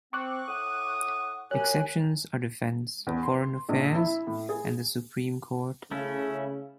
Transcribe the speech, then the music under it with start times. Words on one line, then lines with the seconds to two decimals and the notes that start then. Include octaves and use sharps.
Exceptions are defence, foreign affairs, and the Supreme Court.
0.13 C4 C#6 D6 F#6
0.47 A2 F#5 D#6
1.51 F#2 G4 C#5 G#5 F#6
3.07 E2
3.23 C6
3.69 A#1
3.95 E4
4.27 A2
4.49 G#4
5.91 C#3 A3 C#4 E4